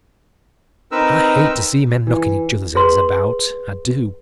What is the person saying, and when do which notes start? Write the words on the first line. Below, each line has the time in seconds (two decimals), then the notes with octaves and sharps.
I hate to see men knocking each other's heads about,--I do.
0.92 C4 D#4 A#4 B4 E6
2.07 E3
2.75 G#4 B4 C6